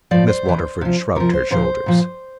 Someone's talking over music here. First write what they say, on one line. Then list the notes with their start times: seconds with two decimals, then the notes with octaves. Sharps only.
Miss Waterford shrugged her shoulders.
0.11 A2 F3 D5
0.28 C5
0.46 C3 E3
0.81 C3 F3
1.16 C3 F3 A#4
1.33 C5
1.51 A#2 F3 C5
1.86 A#2 F3